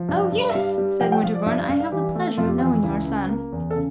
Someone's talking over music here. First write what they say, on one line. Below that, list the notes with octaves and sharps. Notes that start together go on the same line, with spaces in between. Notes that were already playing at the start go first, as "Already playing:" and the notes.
"Oh, yes!" said Winterbourne; "I have the pleasure of knowing your son."
Already playing: F3
G2
G2
E5
G3 F5
G3
F3 G5
G5
F3 F5
D5
G2 E5
F5
G2 F5
F5
E3 G4
A3
F2 F4
G4
E3 F4
C#2 E4
C#3
A#3
E2
A4
C#3